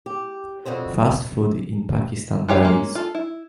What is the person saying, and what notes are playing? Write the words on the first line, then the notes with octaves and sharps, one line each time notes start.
Fast food In Pakistan varies.
G4
F2 B2 D3 C4 C5
E3 G4 C#5 F5
G#3 A#3 C#4
F4 A4
E4